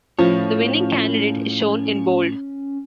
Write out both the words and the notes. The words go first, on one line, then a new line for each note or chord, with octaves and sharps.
The winning candidate is shown in bold.
A2 F3 C#4 C#5